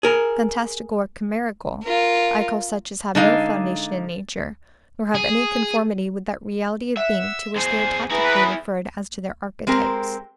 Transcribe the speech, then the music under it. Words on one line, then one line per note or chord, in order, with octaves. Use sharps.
FANTASTICAL or CHIMERICAL, I call such as have no foundation in nature, nor have any conformity with that reality of being to which they are tacitly referred, as to their archetypes.
G#4 A#4
F4 A#4
D3 G#3 D#4 F5
G#4
E5 F#5
F2 G#4 C5
E4 G#4 B4 A#5
G#3 C4 G4 A#4